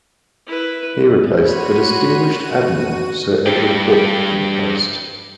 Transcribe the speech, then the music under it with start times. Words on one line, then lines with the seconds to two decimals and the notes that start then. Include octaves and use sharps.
He replaced the distinguished Admiral Sir Edward Hawke in the post.
0.47 E4 B4
1.44 F#4 C#5 B5 C6 D#7
3.46 G2 G4